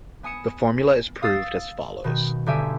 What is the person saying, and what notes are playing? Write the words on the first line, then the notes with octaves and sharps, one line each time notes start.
The formula is proved as follows.
B3 G#5 D#6 C#7 E7
F5 D#6 E6 A6 C7 E7
B2 D#3
G1 D3 G4 E5 G#5 D7